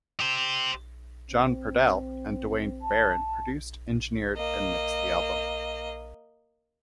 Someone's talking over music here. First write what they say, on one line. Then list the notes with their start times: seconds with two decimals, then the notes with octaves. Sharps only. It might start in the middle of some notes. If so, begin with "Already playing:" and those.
John Purdell and Duane Baron produced, engineered and mixed the album.
0.20 G4 C5
1.30 C4
2.82 A5
4.37 A#3 D#5